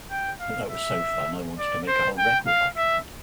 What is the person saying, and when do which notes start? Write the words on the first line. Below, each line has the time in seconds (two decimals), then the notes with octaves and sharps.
That was so fun-I wanted to make a whole record like that.
0.11 G5
0.40 F5
0.70 E5
1.58 D5
1.88 C5
2.18 G5
2.47 F5
2.77 E5